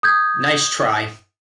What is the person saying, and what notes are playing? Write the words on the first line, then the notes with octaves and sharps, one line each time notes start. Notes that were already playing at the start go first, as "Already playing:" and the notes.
Nice try!
D#6 G6 G#6